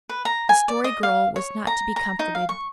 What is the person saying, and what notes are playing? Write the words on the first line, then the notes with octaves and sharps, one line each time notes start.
The Story Girl was not to be comforted.
B4
A#5
G#5
D5
D#5
F5
C#5
A#5
A#5
D#4
F5
C#6